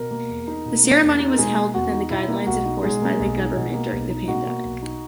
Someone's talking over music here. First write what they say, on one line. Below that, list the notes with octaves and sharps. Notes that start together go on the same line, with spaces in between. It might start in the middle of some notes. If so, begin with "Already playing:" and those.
The ceremony was held within the guidelines enforced by the government during the pandemic.
Already playing: B2 A#4
A#3
E2
D#4
B2
A#3
E2
D#4
A#4
B2 G#3 G#4
A#3
E2 F#4
D#4
B2 E4
A#3
B1 F#4
D#4
B2 G#3 G#4
A#3
B1
D#4
B2
A#3
B1
D#4
B2 F#4
A#3
B1
D#4